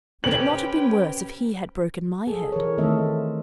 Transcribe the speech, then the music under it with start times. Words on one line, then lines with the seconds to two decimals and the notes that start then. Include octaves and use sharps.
Would it not have been worse if he had broken my head?
0.24 C4 C#4 G4 B4 G5 F#7
2.27 G#4 A4
2.52 E3 A#4 C#5
2.78 D#3 A3 C4 A4 D#5 E5